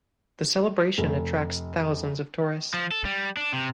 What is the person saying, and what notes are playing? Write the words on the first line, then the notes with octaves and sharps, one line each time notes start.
The celebration attracts thousands of tourists.
F1
F3
A4
G3
D4
C3